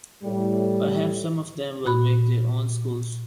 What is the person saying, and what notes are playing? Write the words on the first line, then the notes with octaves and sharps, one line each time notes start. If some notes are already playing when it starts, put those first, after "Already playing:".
Perhaps some of them will make their own schools.
A2 G3
A#2 F#4 B5